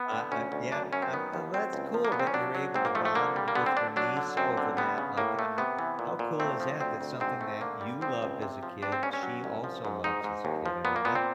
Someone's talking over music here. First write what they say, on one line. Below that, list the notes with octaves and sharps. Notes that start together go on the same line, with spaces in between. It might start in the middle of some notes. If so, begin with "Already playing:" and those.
Uh I yeah, um, and that's cool that you're able to bond with your niece over that, like, ho how cool is that, that something that you loved as a kid, she also loves as a kid, I mean, that
Already playing: B3
D3
D2 C#4
D2
F#2 D4
F#2 C#4
C4
D#3 B3
D#2
F#3 C4
C#2
F3
A#3
A#2 B3
C4
C#4
F#3 D4
F#3
G#2 C4
A#3
F3 A3
A3
D3 A#3
G3
A#3
D3 B3
C4
D3 D4
F#3 D4
D3
F#2 C4
D3
G3 B3
C#3
A2 A#3
A3
C3 B3
E3
A#2
A#2
A3 C4
F3
D2 C4
D2
G#2 C4
A3
D3 A#3
G3
F3 C4
C#2
C3
F3
G2 D4
C4
G2 C#4
C#4
F#3
C2
F3
G#2
G#2 D#4
G#2
D#2
F3
A#2 B3
A#3
A#2 B3
C4